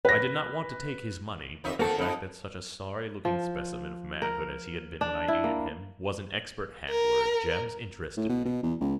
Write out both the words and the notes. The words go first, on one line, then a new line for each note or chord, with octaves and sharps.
I did not want to take his money, but the fact that such a sorry looking specimen of manhood as he had been when I aided him, was an expert handler of gems interested me.
B4 A#6
F2 D#4 E5
D#3 A#3 C4 F#4 A4
F2 D#4 A4
F3
A#4
D4
E4
A#3
A#4
A2
B2
B2
E2
C#2